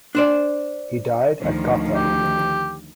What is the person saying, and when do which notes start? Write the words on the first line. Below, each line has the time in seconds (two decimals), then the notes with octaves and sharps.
He died at Gotha.
0.15 D4 C5 D5
1.41 D2 D#3 F3
1.94 G4